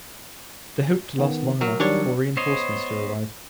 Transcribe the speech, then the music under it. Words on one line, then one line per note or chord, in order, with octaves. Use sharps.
They hoped to last long enough for reinforcements to arrive.
D#3 B3
F#3 A#4
D#3 F#3 G3 D4 C#5
B3 C5 C#5 D#5